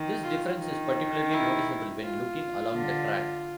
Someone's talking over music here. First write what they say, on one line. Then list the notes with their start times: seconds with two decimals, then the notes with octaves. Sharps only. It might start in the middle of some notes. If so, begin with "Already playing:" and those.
This difference is particularly noticeable when looking along the track.
Already playing: D#3
0.23 F4
0.59 D#3
1.31 E4
2.02 F4
2.74 D3